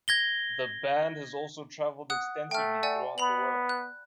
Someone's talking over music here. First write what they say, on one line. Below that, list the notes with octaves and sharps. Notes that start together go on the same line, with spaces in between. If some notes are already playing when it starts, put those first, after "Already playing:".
The band has also traveled extensively throughout the world.
G#6 A#6 G7
F#5 D#6 F#6
A3 G5 F6
D5 F#5 G#5
B3 B5 F7 F#7
F#6